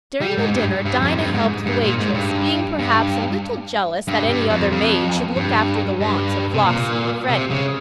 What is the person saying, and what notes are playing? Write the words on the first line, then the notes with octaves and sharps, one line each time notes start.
During the dinner, Dinah helped the waitress, being perhaps a little jealous that any other maid should look after the wants of Flossie and Freddie.
G3
G#2
G2
G2
F2
G2
G#2
G2
A#2
G#2
G2
G2
G2
G2
F2
F2
G2
G2
C3
A#2
C3
C#3